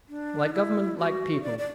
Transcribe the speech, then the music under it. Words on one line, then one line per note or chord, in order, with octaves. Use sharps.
Like government, like people.
D4
E4
F#4
D5
D5